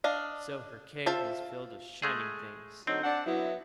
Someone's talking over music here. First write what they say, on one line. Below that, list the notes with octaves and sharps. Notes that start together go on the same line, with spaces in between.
So her cave was filled with shining things.
D4 D#5 F5
F4 C5 E5 A5
G#3 A3 G#4
D3 F#3 C4 D#4
D4 F#5
F#3 B3 E4